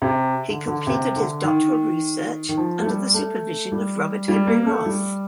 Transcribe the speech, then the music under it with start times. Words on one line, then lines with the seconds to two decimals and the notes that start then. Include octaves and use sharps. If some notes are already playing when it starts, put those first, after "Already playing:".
He completed his doctoral research under the supervision of Robert Henry Roth.
0.02 C3
0.49 D3
0.67 D3
0.87 C3
1.16 D3
1.44 D#3
2.49 D#3
2.57 F3
2.81 A3
2.86 G3
3.14 A3
3.72 G3
4.28 G3
4.47 A#3
4.66 A3
4.85 G3